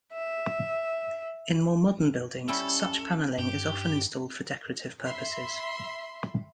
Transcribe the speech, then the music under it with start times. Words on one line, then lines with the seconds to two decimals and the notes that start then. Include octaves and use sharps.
In more modern buildings, such panelling is often installed for decorative purposes.
0.12 E5
2.48 G3 C#4 E4 A4
3.38 G2 G4
5.06 E5 B5 C6